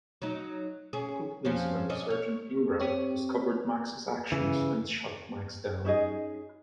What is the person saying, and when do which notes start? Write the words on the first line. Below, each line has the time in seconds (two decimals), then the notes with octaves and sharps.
A local policeman, Sergeant Ingram, discovered Max's actions and shut Max down.
0.22 F#3 D#4
0.93 C#4 G#4
1.45 F2 F3 C#4
1.89 C#4 D4 D#5
2.10 C#5
2.80 C4 G4 C#5
4.32 C#3 E3
5.85 C#4 D#4 G#4 D#5